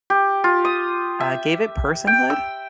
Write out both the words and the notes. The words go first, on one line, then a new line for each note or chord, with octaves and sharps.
uh, gave it personhood,
G4
F4
D#6
E5
G5
E6